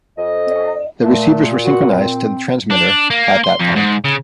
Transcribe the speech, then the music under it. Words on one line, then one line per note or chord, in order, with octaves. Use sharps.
The receivers were synchronized to the transmitter at that time.
F2 D#5
A#2 A3
F#4
C4
D4
A#3
C6
F2
G#2
C#3